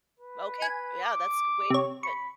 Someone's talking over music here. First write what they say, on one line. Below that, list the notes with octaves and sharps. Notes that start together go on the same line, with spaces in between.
Okay, yeah. That's a good way to keep it.
B4
G#5
D6
C3 C#5
B5 C#6